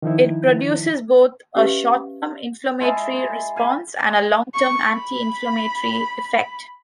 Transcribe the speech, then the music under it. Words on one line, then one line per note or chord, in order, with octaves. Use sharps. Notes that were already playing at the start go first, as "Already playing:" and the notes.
It produces both a short-term inflammatory response and a long-term anti-inflammatory effect.
D#3 F3 D#4 E4
C#4 G4 B4 E5 F5
G#3 E4 G#4 A5
F5 G#5 B5
C#6
B5